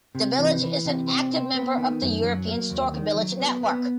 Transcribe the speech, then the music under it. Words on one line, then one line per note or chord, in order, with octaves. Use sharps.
The village is an active member of the European Stork-Village Network.
C3
E3
E3
C3
C4
C4
B3
D#3
F#2
F#3
A#3
D#2
D#3
F#3
B3
B3